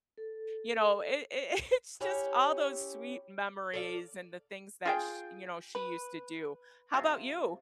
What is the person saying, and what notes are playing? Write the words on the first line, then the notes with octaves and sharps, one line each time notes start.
you know, it it it's just all those sweet memories and the things that sh you know, she used to do. How 'bout you?
A4
C#4 E4 G4
A4 D5 F5
F4 G#4 G5
B4
C3 F3